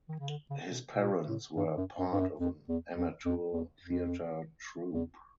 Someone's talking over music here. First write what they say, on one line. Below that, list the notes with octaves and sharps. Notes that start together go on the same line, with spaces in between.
His parents were part of an amateur theatre troupe.
D#3
C#3
D3
C#3
B2
B2
A#2
A2
G2
F#2
F#2
G2
F#2
F2
E2
F2
F2
E2
F2
E2